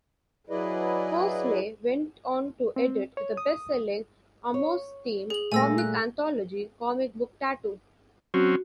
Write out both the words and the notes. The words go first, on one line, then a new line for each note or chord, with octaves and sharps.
Hoseley went on to edit the best selling Amos-themed comic anthology "Comic Book Tattoo".
F#3 E4 G#4 B4 D5 D#5
C4
C#5
D#6
C#5
G#4 F#7
A#2 G3 A3 G#5 E6 A#6
F#6
F#3 C4 C#4 F#4